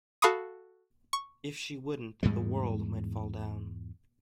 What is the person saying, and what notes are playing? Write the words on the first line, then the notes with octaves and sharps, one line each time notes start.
If she wouldn't, the World might fall down.
F#4 A4 F5 B5 C#6 D#6
C#6
E2 G#2 G3 G#3